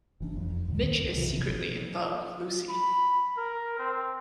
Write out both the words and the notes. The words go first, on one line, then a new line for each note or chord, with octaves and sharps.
Mitch is secretly in love with Lucy.
F#1 E3 D4
F1 F2
D2 A2 D3 D#3
C2 F#2
C3 E3
G1 B2 F3
B5
A#4
C4